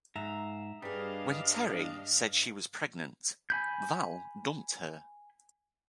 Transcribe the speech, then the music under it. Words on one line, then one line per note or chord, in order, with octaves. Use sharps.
When Terri said she was pregnant, Val dumped her.
G#2 E5 F5 A#5
G2 G3 D4 G#4 D#5 F5
G#5 B5 G6